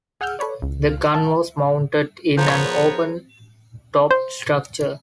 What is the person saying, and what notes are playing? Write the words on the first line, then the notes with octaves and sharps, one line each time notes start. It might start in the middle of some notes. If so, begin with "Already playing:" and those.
The gun was mounted in an open-topped structure.
G#4 F#5 E6 F6 G6
A4 B4 C#5 D5
C#2
E5 A5
F3 B3 G#4 A#4 C#5 A#5 G6
C5